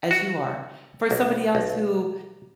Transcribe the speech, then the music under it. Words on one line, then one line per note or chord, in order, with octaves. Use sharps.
as you are, for somebody else who
F#4
B1
B1